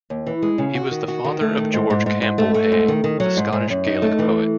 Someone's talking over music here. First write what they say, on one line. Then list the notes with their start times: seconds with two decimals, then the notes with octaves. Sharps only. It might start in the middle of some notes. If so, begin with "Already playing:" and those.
He was the father of George Campbell Hay, the Scottish Gaelic poet.
0.10 D#2
0.27 E3
0.42 G#3
0.58 C#3
0.75 F#4
0.91 D#3
1.08 F#4
1.25 D#3
1.41 A3
1.58 D#3
1.74 G#2
1.90 G#2
2.06 G#2
2.22 G#2
2.38 A3
2.54 A3
2.72 G#2
2.88 D#3
3.04 D#3
3.20 F#3
3.37 G#2
3.53 G#2
3.70 F#2
3.86 D#4
4.02 A3
4.19 E3